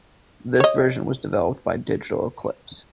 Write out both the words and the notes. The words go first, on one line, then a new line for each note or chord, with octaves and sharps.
This version was developed by Digital Eclipse.
C#5 D#5